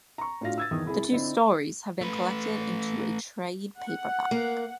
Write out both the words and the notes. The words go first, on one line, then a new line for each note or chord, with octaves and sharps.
The two stories have been collected into a trade paperback.
A#5 C#6
A2 D4 F4 F#4 F5 A#6
E6 G#6 A6
E2 D#3 D#6
C2 E4 G#4
D3 C4 D#4 E4
A3 B4
F#5
A#3